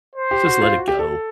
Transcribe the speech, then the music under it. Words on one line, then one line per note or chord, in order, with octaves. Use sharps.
just let it go."
C5
G4
F#4
F4
F#4
G4
A4